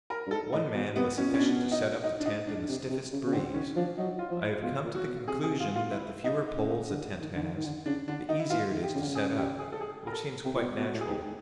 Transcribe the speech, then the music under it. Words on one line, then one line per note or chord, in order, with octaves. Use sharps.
One man was sufficient to set up the tent in the stiffest breeze; I have come to the conclusion that the fewer poles a tent has, the easier it is to set up, which seems quite natural.
A#4
G2
G#2 A4
A2 D#4
B2
C3 B3
B2 C#4
A#2
C#4
B2 D4
D#4
D#4
D4
D#4
D4
C3
C3
C#3
C#3
D3 C4
D#3 C#4
F3 D4
F#3 D#4
F4
F3
E4
B2 F4
A#2
F#4
B2
C3 G#4
G#4
F4
F4
E4
D#4
C#3
D3
D#3
D3
D#3
D#3
D3
C#3 D4
D3 D4
D#3 D#4
E4
E3 F4
D#3
G4
C#3
D3
C#3
G#4
G4
G#4
A4
G#4
A#4
A4
C3 G4
A#2
B2
B2 F#4
A2
G#4
G#2 G4